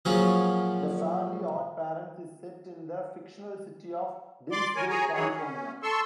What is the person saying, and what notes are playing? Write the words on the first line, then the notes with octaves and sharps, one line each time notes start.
"The Fairly OddParents" is set in the fictional city of Dimmsdale, California.
A#2 F3 F#3 C#4 F#4 G#4
D5 C6 D6
A#4 C#5 G#5
G#4 C#5 G#5 A#5
E3 F#3 G#4 C#5
C#4
A4 C6 C#6 E6